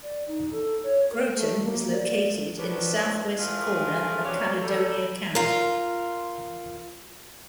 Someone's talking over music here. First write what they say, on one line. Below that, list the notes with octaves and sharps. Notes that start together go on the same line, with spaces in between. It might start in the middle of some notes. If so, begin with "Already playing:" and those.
Groton is located in the southwest corner of Caledonia County.
D5
D#4
A4
C#5
A#4
A3
A#3
D5
D#3 F3 C#4 D4 B4
E3 F3 A3 F4 G#4 A#4
G#2 C3 C#4 D4 F#4 F5
F#3 G3 A4
F4 A#4